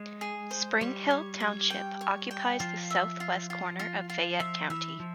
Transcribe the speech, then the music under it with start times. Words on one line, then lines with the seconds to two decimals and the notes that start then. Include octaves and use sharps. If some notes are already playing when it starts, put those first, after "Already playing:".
Springhill Township occupies the southwest corner of Fayette County.
Already playing: G#3
0.21 G#4
0.51 C5
0.81 G3 C#5
1.11 C#5
1.40 C#5
1.70 G5
2.01 C#5
2.31 G5
2.60 F3 F4
2.90 E5
3.20 F4
3.50 F4
3.79 F4
4.10 F4
4.40 F3 E5
4.70 E3 E5
5.00 F3